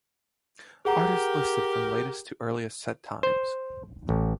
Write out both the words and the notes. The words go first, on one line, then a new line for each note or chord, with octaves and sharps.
Artists listed from latest to earliest set times.
G4 G#4 A#4 F#5 A#5
C5
A1